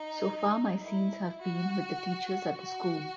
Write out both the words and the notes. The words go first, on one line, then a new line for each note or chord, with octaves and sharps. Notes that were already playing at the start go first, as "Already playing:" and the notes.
So far my scenes have been with the teachers at the school.
Already playing: D#4
E4
F#4
F#4